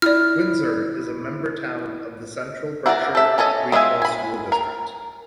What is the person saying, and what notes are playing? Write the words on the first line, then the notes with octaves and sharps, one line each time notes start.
Windsor is a member town of the Central Berkshire Regional School District.
E4 D5 F6
E4 F#4 A#4 C5 D5
A4 E5
C#4 A4 C#5 D#5
G#3 D4 F4 E5 G#5
G#5 B5
A#4